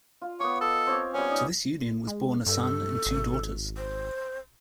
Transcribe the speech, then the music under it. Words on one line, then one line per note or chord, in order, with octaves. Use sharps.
To this union was born a son and two daughters.
F4
B3 C#5 D6
A4 D#5
C4 C#5 D6
G3 B3 C#4
D#4
G#3
G2 A4
G#1
C5